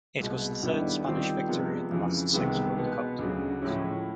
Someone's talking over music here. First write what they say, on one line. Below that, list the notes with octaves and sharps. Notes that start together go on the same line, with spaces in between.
It was the third Spanish victory in the last six World Cup tournaments.
C2 B2 G#3
D#2 D3 G3 B3 E4
D#3 G3 C4 F4
C3 F3 G#3 B3
F2 C#3 E3
C2 C3 D#3 G#3 B3
B2 G#3 B3
D2 C#3 F#3
A2 F3 G#3 C#4 E4